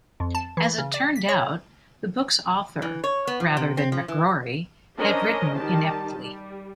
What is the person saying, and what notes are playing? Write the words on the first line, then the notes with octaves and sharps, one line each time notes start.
As it turned out, the book's author, rather than McGrory, had written ineptly.
F2
A5
E3
C#3
D5
B6
C#5
E3
C#5
B3
F3
C3
C4
F3
E3
C#4 D4 A#4 C5 D#5
D#3 G3 G4 A5
G3